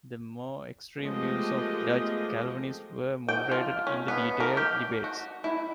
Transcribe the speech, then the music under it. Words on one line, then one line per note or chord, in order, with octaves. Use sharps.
The more extreme views of Dutch Calvinists were moderated in the detailed debates.
F3 G#3 A3 B3 G4 D#5
G5
F4
C#4
B3
A#4
G4
F#4
E4